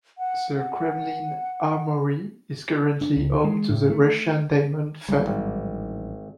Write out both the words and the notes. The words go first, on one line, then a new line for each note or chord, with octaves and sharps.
The Kremlin Armoury is currently home to the Russian Diamond Fund.
F#5
F#5
D4
C#2
G#3
A2
A3
A1 F#3 G3
G#1